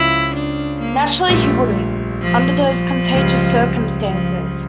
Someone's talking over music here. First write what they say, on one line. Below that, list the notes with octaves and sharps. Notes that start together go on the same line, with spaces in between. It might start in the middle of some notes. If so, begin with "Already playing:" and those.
Naturally he wouldn't, under those contagious circumstances.
Already playing: C#2 C#3 F3 C#4 E4
D4
A#3
A#1 A#2 G3 A3
F3
F3
C#2 C#3 G3
F3